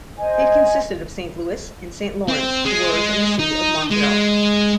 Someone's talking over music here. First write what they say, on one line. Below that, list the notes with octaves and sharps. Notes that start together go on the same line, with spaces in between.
It consisted of Saint Louis and Saint Lawrence wards in the city of Montreal.
C5 D#5 G#5
C4
G#3
D#4
G#3